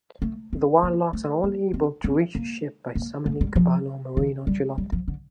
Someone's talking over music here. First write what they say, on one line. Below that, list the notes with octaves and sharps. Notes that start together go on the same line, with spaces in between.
The warlocks are only able to reach the ship by summoning "caballo marino chilote".
A3
C4
A#3
A3
A#3
C4
C4
A#3
A#3
A3
G3
F3
D#3
G3
G3
F3
D3